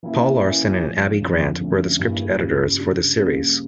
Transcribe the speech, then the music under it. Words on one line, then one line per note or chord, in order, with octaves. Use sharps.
Paul Larson and Abi Grant were the script editors for this series.
E3 A#3 C#4 E4
E3 A#3 C#4
A2 F3 C#4
F2 D3 F3
F2 D3 A3 C#4
G2 E3 G3 A#3
C#3 G3 C#4 F4
C#3 G3 D4
C#3 G3 A#3 C#4